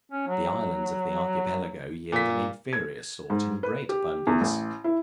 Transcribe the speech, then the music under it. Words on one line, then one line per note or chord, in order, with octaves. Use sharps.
The islands of the Archipelago yield an inferior sort in great abundance.
C#4
F#3
A#2 B6
G#6
G#2
B4
G4
E2
A1
E4